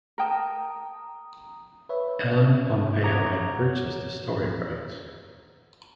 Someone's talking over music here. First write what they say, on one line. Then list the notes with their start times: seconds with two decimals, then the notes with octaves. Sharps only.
Ellen Pompeo had purchased the story rights.
0.18 A#4 G5 A5 A#5 D#6
1.89 B4 C#5 E5
3.03 C#5 F#5 A#5 D6 D#6